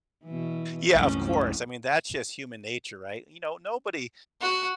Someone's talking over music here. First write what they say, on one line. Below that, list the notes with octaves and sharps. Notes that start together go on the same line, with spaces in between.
Yeah, of course, I mean, that's just human nature, right? You know, nobody
B2 E3
C2 F#2 A2 C#4
F#4